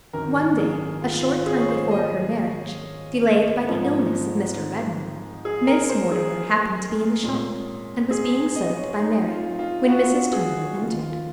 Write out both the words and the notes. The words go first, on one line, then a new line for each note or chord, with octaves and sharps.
One day, a short time before her marriage, delayed by the illness of Mr. Redmain, Miss Mortimer happened to be in the shop, and was being served by Mary, when Mrs. Turnbull entered.
G#1 F#2 D#3 A#4
G#4
F4
F4
G#4
C#5
C5
D#5
G#2 F3 G#3 C4
G#4
A#4
C5
G#4
C2 A#2 G#3 C#4
G#4
D#5
C#5
D#4
F4
F4
F#4
G#4
D#2 C#3 F3 F4
F4